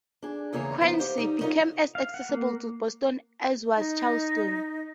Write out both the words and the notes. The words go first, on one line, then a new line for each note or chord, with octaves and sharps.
Quincy became as accessible to Boston as was Charlestown.
D4 G#4
E2 C#3 A#3 G#4 A#4 C#5
F2 F3 B3 D#4
G4 C5 F5
G3 D#4
C#4 D#4 F4 A#4 C5 D#5
F5
F#5
A#3
D#4